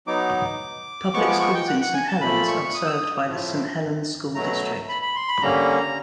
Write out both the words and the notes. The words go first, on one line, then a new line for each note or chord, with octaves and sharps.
Public schools in Saint Helens are served by the Saint Helens School District.
F#3 B3 D#4 D6
F3 G#3 B3 C#6
D6
C#6
G5
F#5
F#5
G#5
A5
A#2 F3 A3 B5
C#6
D#6
E6
D#6
A2 F3 A3
B2 F#3 A3 A#5
B5
B5
C6
B5
D3 G3 A#3 C#4 A#5